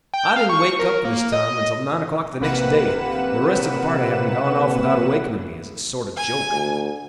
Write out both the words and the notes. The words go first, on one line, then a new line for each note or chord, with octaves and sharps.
I didn't wake up this time until nine o'clock the next day, the rest of the party having gone off without awakening me, as a sort of joke.
G5
F5
C#6
A#4
A#3
D#5
A#1 C3 A#3 B4 F#5 E7
G#5
D2